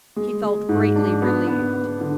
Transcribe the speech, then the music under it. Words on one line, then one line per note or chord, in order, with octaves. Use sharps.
He felt greatly relieved.
G#3
G#3
G#2
D4
B3
B3
B3
D3